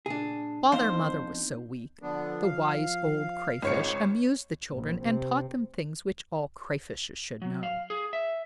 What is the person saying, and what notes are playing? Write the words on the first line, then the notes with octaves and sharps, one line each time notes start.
While their mother was so weak, the Wise Old Crayfish amused the children, and taught them things which all Crayfishes should know.
A#2 C#3 D4 G#4
F2 B3 D4 D#4 C5 F5
D3 F3 B3 D4
F5
G#1 C#2 C#5 C#7
A#1
C3
F#3
F5
G#4
E5